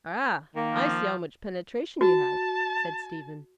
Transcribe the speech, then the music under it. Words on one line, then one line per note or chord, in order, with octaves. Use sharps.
"Ah, I see how much penetration you have," said Stephen.
D#3 A#3
F3
F#4 A5